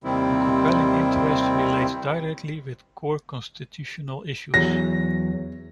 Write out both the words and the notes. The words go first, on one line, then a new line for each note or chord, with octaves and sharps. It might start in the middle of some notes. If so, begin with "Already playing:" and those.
A compelling interest relates directly with core constitutional issues.
D#2 C3 D#3 G3 C4 E4
E2 F#3 A#6